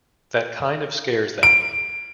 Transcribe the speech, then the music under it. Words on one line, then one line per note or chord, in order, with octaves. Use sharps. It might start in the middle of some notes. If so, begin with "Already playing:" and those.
That kind scares them.
D7